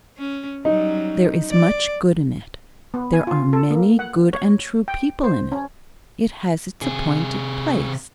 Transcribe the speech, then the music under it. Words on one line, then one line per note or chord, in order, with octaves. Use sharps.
There is much good in it; there are many good and true people in it; it has its appointed place.
C#4
F#3 G3 C#4 D#4
D5
B3
G#5
F4
A4
A#3
F#5
C#5
G5
C5
C#4
C3 G#4